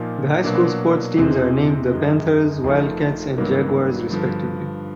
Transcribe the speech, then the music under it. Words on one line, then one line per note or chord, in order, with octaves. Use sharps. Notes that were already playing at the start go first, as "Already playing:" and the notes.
The high school sports teams are named the Panthers, Wildcats, and Jaguars, respectively.
Already playing: A#2 F3 A#3 D#4
B2 F#3 A#3 D4
E2 C3 E3 G#3 C4
F#2 D#3 G#3
G#1 G#2 F3 A3
G2 D#3 F#3 A#3
G2 D3 F3